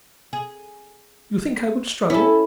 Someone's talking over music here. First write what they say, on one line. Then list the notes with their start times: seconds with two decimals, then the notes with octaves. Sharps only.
You think I would struggle?
0.33 G#4
2.10 C#4 E4 A4